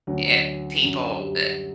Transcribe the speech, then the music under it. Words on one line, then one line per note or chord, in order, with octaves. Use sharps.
eh, people, eh
D2 D3 F#3
F#3
F#2 D3 F#3
G3